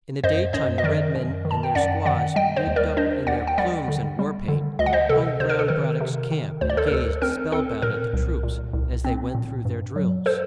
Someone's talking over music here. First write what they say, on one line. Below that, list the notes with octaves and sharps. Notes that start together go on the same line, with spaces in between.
In the day time the red-men and their squaws, rigged up in their plumes and war paint, hung round Brad-dock's camp, and gazed spell-bound at the troops as they went through their drills.
F#2 C5 D#5
F#2 C5 D#5
D#5
D#3 A#4 D5
F#2
D#3
A5
G5
F#2 D5 F#5
D#3 D5 F#5
G3 D#5 G5
C5 D#5
D#2
A#4 D5
D4 C5 D#5
D#2 D5 F#5
G5
G3 D5 F#5
D3
G3
D3
D2 D#5
F#5
C5 D#5
C3 A4
C3 C5
A#4
A4
D#3 A#4
C3
D#3
D2 C5
D5
A4 C5
A#4
D2 A4
C4 A#4
C4 A4
A#2 A#4
C2
A#2
C2
C4
A#2
G2
F#3
A4 C5